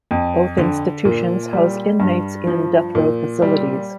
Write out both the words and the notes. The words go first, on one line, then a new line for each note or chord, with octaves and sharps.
Both institutions house inmates in Death Row facilities.
F2
D3
A#2
G3
G2
F3
A#2
G3